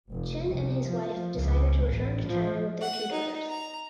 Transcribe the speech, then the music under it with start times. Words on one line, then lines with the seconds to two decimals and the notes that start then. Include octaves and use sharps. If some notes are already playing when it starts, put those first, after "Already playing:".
Chen and his wife decided to return to China with their two daughters.
0.11 F1
0.47 C2
0.88 F3
1.35 C#2
1.88 A1
2.27 F3
2.80 F#5
3.12 D#4
3.49 A#5